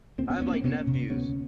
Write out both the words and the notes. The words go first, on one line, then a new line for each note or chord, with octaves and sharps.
I have, like, nephews.
D2 A#3 C4
B3 C#4
D2 B3 C#4
A#3 C4
C3 B3 C#4
C3
D2 B3 C#4